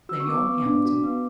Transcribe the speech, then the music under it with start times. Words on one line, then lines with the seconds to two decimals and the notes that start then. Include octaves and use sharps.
Lemuel Hamilton.
0.09 F#4 E6
0.20 C#6
0.28 B3 D6
0.47 B3
0.66 D4
0.85 F#4
1.04 B3